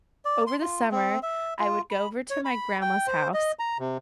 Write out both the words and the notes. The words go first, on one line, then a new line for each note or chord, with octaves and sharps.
over the summer I would go over to my grandma's house
D5
C6
F4
C4
E5
F4
B5
C#5
B5
G5
C5
D#5
A#5
C3